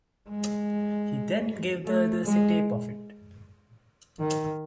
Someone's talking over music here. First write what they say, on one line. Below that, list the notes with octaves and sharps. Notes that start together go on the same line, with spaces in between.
He then gave the others a tape of it.
G#3
A3
G#3
D#3